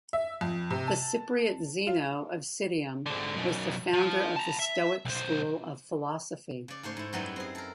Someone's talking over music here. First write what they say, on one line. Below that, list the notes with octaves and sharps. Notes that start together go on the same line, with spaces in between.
The Cypriot Zeno of Citium was the founder of the Stoic School of Philosophy.
E5
F2
C3
A5
F4
G#2 D3
F#2 B2
F3
A5 A#5
E5
B1 C5
C#3 D5
G#2 A3 C5 C#5
G#2 E4
F#2 F#3 G3 B3 D#4 E4
C4 G#4
A4 A#4